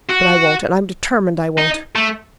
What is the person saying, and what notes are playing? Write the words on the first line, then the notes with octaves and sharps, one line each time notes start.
But I won't . . . and I'm determined I won't.
F#4
D#4
A3